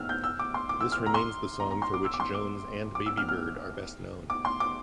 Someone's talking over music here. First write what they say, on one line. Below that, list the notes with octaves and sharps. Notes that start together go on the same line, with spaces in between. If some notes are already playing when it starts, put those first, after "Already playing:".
This remains the song for which Jones, and Babybird, are best known.
Already playing: E6 F6
G6
E6
D6
C6
D6
E6
F6
A#5
C6
A#5
A#5
C6
D6
E6
D6
C6
D6
D6
E6
F6
F6
D6
C6
D6